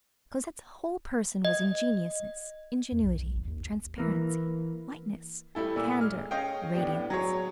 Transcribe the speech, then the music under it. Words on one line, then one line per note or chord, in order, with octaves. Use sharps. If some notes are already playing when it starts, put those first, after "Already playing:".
Cosette's whole person was ingenuousness, ingenuity, transparency, whiteness, candor, radiance.
D#5
F2
B1
B1
G#1
D#2
E3 A#3
G3 A3 E4 A4
A#2 E6
G#3 F6
C#4 G#4 D#5 F5 G5
A2 B3 D4 G4
F#3 G#4 C#5